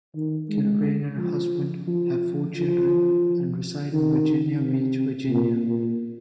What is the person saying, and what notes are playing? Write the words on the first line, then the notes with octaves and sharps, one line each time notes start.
Kilrain and her husband have four children, and reside in Virginia Beach, Virginia.
D#3
G#3
F3
F3
F3
D#3
C3
A#2
A#2